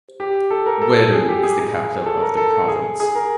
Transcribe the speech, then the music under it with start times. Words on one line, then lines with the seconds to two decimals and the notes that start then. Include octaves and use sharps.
Gweru is the capital of the province.
0.20 G4
0.50 A4
0.66 A#4
0.82 A4
1.13 G#4
1.29 G4
1.43 G#4
1.59 G#4
2.06 A4
2.22 A#4
2.37 A4
2.68 G#4
3.00 G#4
3.15 A#4